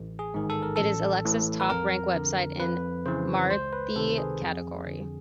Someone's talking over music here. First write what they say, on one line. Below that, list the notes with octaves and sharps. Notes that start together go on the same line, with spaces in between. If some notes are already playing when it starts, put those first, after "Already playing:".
It is Alexa's top ranked web-site in Marathi category.
Already playing: A1
G#4
G#2 D#3
A4
A#4
A1 A4
A2 E3
B4
F2 A#4
D3
F2 B4
C#3 E3 C5
C#2 C5
B4
C3 D#3 A4
G#4
F2
D3